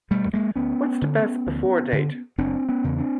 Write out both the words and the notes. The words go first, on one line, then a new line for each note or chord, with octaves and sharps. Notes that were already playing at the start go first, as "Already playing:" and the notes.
What’s the Best Before date?
B2 G3 A3
G#3 A#3
D2 B3 C#4
D3
D2
D3
F#1 C4 D4
B3 C#4
E2 C#3
C4 D4